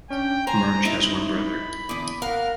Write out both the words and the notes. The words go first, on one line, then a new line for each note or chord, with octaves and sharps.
March has one brother.
C#4 D4 G5
C5 G#5 A#5
D#4 E4
B5
E2 D3 D6 D#6
G1 A#4 F5 F#5